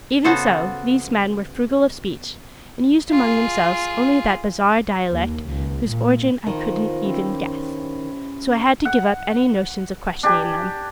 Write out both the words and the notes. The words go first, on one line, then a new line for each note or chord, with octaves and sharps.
Even so, these men were frugal of speech and used among themselves only that bizarre dialect whose origin I couldn't even guess. So I had to give up any notions of questioning them.
C#3 B3 F#4 A4 C5
F4 G#4
D#2
C#2
A#2
D#3 F3 B3 F4
C#4 E4 G4 C5
F#5
D4 G4 G#5